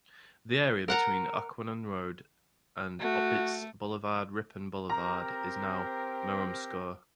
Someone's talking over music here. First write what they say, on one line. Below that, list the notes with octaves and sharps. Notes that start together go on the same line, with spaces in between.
The area between Occoquan Road and Opitz Boulevard-Rippon Boulevard is now Marumsco.
A#4 F#5 A#5
A3 F#4
C4 G4 A#4 A#5